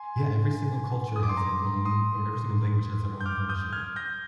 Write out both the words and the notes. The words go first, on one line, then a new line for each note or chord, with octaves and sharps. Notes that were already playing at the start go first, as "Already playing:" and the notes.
Yeah, every single culture has their own or every single language has their own version.
Already playing: G#5 C6
D#6
D6
C6
A#5 D6
C6 D#6
G6
D6 F6
D#6 G6
F6 G#6
G6 A#6